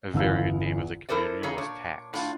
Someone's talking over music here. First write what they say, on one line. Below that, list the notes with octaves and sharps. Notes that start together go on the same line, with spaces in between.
A variant name of the community was "Tax".
G1 E2 C#3 E4 F5 E6
E4 A4 A#4 C5 D5
C#3 D#4 G#4 A4 C#5 A#5
A#2 D4 C#5
A2 D4 F4